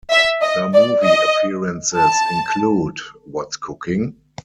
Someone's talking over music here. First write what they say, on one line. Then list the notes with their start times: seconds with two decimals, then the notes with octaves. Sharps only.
Her movie appearances include What's Cooking?
0.11 E5
0.41 D#5
0.74 D5
1.04 D#5
1.96 A5